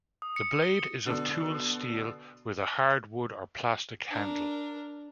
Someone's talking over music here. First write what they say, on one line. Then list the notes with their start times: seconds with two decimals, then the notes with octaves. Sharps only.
The blade is of tool steel with a hardwood or plastic handle.
0.22 D#6
0.36 C#7
0.62 G7
1.06 B2 D3
4.11 D4 A#4